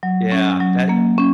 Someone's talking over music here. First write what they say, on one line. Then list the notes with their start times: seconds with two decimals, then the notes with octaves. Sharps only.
Yeah. That
0.03 F#3
0.32 C#4
0.60 F#3
0.89 A#3
1.18 C#4